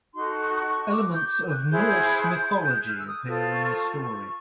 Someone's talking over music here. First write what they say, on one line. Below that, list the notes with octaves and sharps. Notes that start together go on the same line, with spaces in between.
Elements of Norse mythology appear in the story.
D#4 F#4 A4 C6
C#6
C#6
D6
G6
G6
F#6
E4 G#4 C5 G6
F#6
G6
G6
F#6
F6
E6
D#6
F4 A4 C5
C#6
C#6
C#6